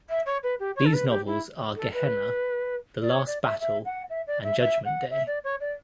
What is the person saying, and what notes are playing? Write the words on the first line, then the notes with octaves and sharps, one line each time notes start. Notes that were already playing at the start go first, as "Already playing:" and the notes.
These novels are "Gehenna", "The Last Battle", and "Judgment Day".
E5
C#5
B4
G4
C#5
A4
B4
G4
E4
A4
B4
D5
C#5
D5
E5
E5
F#5
E5
D5
E5
E5
F#5
E5
D5
C#5
D5